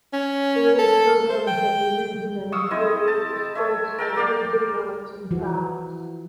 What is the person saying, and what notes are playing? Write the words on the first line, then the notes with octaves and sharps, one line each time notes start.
Various programs have been implemented related to sports, language, and arts and crafts.
C#4
A4
C5
G5
F5 C#6 D#6 E6
C4 E4 D#5
A5
A3 C#5 E5
A#4 G5 A5
A#3 D5 F5 G5
E3 F3 F#4